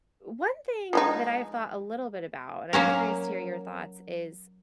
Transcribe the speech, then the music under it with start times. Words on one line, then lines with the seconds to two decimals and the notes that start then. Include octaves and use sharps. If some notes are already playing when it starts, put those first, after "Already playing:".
one thing that I have thought a little bit about, and I'm curious to hear your thoughts, is
0.93 F3 G#3 D#4
2.73 F#3 A#3 C#4 A#4